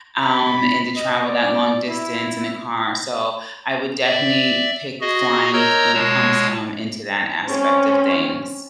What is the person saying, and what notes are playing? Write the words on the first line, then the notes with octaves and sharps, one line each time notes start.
Um, and to travel that long distance in a car, so I would definitely pick flying if when it comes, um, into that aspect of things.
B5
D#5
D5
E4
D5 E5
F#4 G#4 D#5
A#4 C#5 D#5 A#5 E6 G6
B2 G#3 C#5 A5
C4 C#4